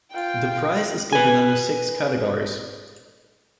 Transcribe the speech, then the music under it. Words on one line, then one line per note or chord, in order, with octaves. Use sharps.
The prize is given under six categories.
F4 G5
B4 G#5